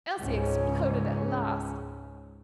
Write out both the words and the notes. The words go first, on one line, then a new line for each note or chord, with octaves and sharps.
Elsie exploded at last.
C#2 G#2 C#4